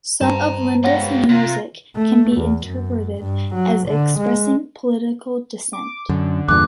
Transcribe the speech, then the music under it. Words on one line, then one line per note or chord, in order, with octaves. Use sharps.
Some of Linda's music can be interpreted as expressing political dissent.
G2 C5 G5 A5 A#5
G#3 B3 F4 G4 C#5 F#5 A#6
C3 F4 A#4
A3
E2
F#2
G2
F#3
D3
G#3
D6
F#2 D3
E2 G2 A#2 D6 F#6